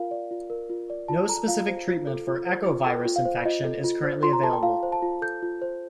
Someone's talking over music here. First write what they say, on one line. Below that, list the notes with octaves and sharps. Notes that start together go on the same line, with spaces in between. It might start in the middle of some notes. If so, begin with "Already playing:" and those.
No specific treatment for echovirus infection is currently available.
Already playing: F4 A#4 F5
D5
F4
A#4
F4
D5
F4 A5
A4 A#5
F4 F5
C5
F4
A4
F4
C5
F4
A4 G5
F4
F5
C5
F4 D#5
A4
F4
C5
F4 C6
A#5
A4 A5
G5
F4 F5
C5
A5
F4
A4 G6
F4
C5